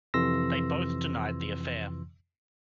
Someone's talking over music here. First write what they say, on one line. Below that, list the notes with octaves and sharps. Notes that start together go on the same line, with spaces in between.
They both denied the affair.
F2 C3 E3 C6 E6 A#6